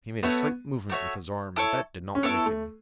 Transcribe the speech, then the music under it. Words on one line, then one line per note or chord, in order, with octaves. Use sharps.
He made a slight movement with his arm, but that did not wake him.
A3 B3 F#4 C#5 E5
A3 F#4 C#5 E5
E4 A4 C#5
C#4
B3 E4 A4 C#5
A3